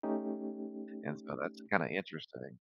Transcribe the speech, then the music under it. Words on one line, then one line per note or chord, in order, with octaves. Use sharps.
And so that's kinda interesting.
A3 C#4 D#4 G4